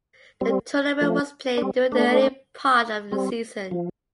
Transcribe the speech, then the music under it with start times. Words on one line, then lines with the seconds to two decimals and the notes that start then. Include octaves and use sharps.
The tournament was played during the early part of the season.
0.41 G3 C4
1.01 F3 A3
1.58 D4
1.61 G3 C4
1.92 A3 D4
3.12 G3 C4
3.71 F3